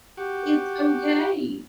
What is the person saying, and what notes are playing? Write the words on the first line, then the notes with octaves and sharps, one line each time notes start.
it's okay,
F#4 G4